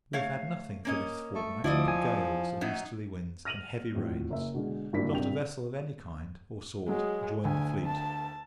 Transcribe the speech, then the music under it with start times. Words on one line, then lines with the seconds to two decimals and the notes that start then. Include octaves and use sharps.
We have had nothing, for this fortnight, but gales of easterly winds, and heavy rains; not a vessel of any kind, or sort, joined the fleet.
0.13 A3 C#5 F5
0.85 A#3 C#4 D#5
1.35 A3
1.64 D2 F3 E4 D5 D#5
1.88 G#5
2.61 F#2 F#3 D#4
3.45 F6 A#6 D#7 F7 F#7
3.95 F2 A2 F3 F#3
4.30 F#1 E5
4.54 B2 D3 G#3
4.93 G#1 G2 F#3 A#3 E4 B6
5.12 G#1 G2 C3 G5 F7
6.89 F#3 G#3
7.45 D2 G#5
7.85 A5